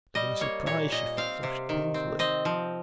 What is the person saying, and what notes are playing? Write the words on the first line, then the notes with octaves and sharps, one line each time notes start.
To my surprise, she flushed painfully.
G3 D#5
A#3 C#5
A#2 C#5
A#2 D#5
C4 F5
C3
D#3
C4
C4 D#5
F3